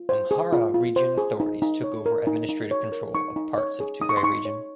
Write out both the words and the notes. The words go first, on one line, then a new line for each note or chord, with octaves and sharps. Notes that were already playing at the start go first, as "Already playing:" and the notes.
Amhara Region authorities took over administrative control of parts of Tigray Region.
Already playing: F4
C5
G#4
F4
F4
C5
G#4
D#4
D#4
C#5
A#4
D#4
D#4
C#5
A#4
D#4 C#6
D#4
C#5
G#4
D#4 D#6
C#6
C6
D#4 C#6
C#5